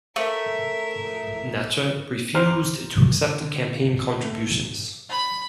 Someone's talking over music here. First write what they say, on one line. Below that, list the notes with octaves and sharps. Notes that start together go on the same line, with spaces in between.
Natcher refused to accept campaign contributions.
A3 A#4 E5
C5 A#5 F6
D3
A3
B5